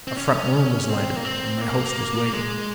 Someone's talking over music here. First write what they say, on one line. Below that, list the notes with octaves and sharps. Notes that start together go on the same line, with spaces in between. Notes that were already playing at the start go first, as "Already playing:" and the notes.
A front room was lighted; my host was waiting.
C4
C#4
C4
A#3
C4
A#3
G#3